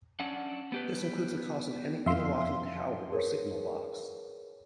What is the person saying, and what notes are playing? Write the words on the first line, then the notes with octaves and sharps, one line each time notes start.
This includes the cost of any interlocking tower or signal box.
C#4 D4 F#5
B3 G4 B4
F2 E5 F5 C6
G#4 A#4 B4 C#5